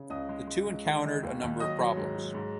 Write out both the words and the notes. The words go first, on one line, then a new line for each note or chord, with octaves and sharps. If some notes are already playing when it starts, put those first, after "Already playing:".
The two encountered a number of problems.
Already playing: C#3
C#2 D#5 D#6
G#3
G#3
G#3
D#3
G#3
D#2
D#2
F#3 D#5 D#6
F#3
G#2
F#3
G#2